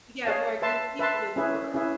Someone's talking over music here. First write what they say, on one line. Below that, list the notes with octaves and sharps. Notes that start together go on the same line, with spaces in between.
We got more good people in the world.
G#4 C#5 F5 A5
B4 E5 A5 C6
B4 E5 A5 C6
C#4 E4 G#4 B4 E5
C#4 E4 G#4 B4 E5